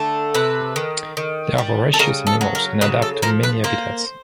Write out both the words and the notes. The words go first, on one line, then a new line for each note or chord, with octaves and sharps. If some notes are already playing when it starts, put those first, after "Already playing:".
They are voracious animals and adapt to many habitats.
Already playing: D3 A3
C3 B4
D#3
D#3
G3
A4
C#3 A#4
A4
F#3
A#4
C#3 B4
A4
F3 A#4
B4
A#3 C5